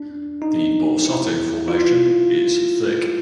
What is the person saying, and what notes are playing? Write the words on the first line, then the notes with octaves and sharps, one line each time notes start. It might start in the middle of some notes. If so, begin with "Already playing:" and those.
The Borsato Formation is thick.
Already playing: D4
D#4
E4
F4